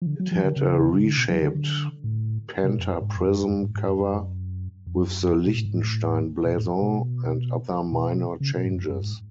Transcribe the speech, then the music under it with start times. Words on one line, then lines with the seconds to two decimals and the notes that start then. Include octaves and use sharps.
It had a reshaped pentaprism cover, with the Liechtenstein blason, and other minor changes.
0.02 F3
0.06 D3
0.20 F#3
0.31 F3
0.44 D3
0.56 C#3
0.93 C#3
1.06 D3
1.17 B2
1.30 F#3
1.42 D3
1.55 D3
2.04 A2
2.64 C#3
2.68 B2
2.78 F2
2.84 F#2
3.01 G#2
3.16 F2
3.26 F#2
3.50 F#2
3.62 G#2
3.75 G#2
3.88 F#2
4.00 F#2
4.87 F2
4.98 F#2
5.46 B2
5.56 A2
5.65 G#2
5.74 A2
6.45 B2
6.57 A2
6.82 B2
7.92 B2
8.40 C#3
8.57 B2
8.66 G#2
8.73 F#2
8.90 F#2
9.01 G#2